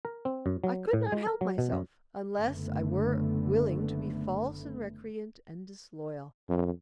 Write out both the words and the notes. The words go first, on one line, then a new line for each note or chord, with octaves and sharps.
I could not help myself, unless I were willing to be false and recreant and disloyal.
A#4
C4
F#2
F#3
A2
G#3
A#4
F#3
B2
F#2
F#1 D3 A3 B3
F2